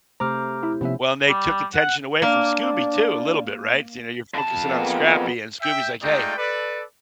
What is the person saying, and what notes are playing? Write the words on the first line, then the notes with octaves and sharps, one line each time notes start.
Well, and they took attention away from Scooby too a little bit, right, so you know, you're focusing on Scrappy, and Scooby's like, "Hey,
C3 A3 C5 A#5 D6 F6
E4
C3 F3 B3 C#4 E4 E5
G3
F#5
A#3 D4 D5
F2 A5
G#3 A#3 B3
E5 G5
G#3 A3 D#4 F4 D5 G5
A4 B4 D5